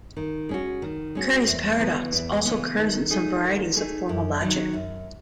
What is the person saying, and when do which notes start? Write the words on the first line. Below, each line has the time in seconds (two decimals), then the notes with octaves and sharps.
Curry's paradox also occurs in some varieties of formal logic.
0.16 D#3
0.49 G#3 C#4 F#4
0.82 D#3
1.15 G#3 C#4 F#4
1.47 E2
1.80 C#3 E3 B3
2.12 E2
2.45 C#3 E3 B3
2.78 D#3
3.10 A3 D#4 G#4
3.44 D#3
3.76 A3 D#4 G#4
4.09 F#2
4.41 D#3 F#3
4.73 F#2